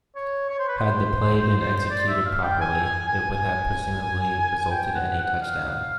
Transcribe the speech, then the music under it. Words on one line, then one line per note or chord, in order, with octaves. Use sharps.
Had the play been executed properly, it would have presumably resulted in a touchdown.
C#5
C#5
C5
B4
C5
D5
E5
F5
G5
G#5
G#5
G#5
G#5
G5
F#5
F#5
F5